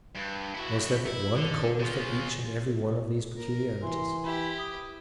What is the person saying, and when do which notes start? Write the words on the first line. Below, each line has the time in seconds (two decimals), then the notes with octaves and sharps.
Was there but one cause for each and every one of these peculiarities?
0.15 G2
0.54 E4 F#4
1.06 E4
1.35 D3
1.80 C#3 F4
3.37 A#4
3.82 E3 C6
4.24 E4 G4 B5
4.58 D#6